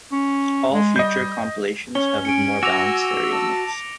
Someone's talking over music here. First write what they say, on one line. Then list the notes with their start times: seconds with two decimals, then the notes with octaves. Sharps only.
All future compilations have a more balanced stereo mix.
0.12 C#4
0.72 G#3
0.96 G3 D#5 G6
1.95 C#4 C#5 G7
2.25 G#5 C#7 D7
2.63 F#4 D6 E6 A#6 F7
3.32 A5